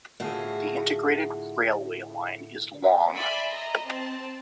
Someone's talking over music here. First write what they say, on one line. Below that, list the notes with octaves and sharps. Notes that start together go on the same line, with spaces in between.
The integrated railway line is long.
A2 D3 F4 F#4 G#4
D5 E5 G#5 B5 C6
D#5 A#5
C4 A5